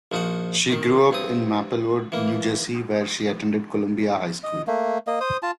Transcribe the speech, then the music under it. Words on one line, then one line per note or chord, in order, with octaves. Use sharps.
She grew up in Maplewood, New Jersey, where she attended Columbia High School.
A#1 F3 D#4 F#4 F#5
D#3
G2 C4 D#6
E3 A#3
D#5
A3 A#3
A#3 D#5
C5 D#6
F4 A5